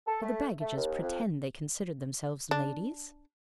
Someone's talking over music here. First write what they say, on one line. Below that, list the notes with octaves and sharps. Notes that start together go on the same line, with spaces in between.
Did the baggages pretend they considered themselves ladies?
A4
A3
A3
D#2
F2
D4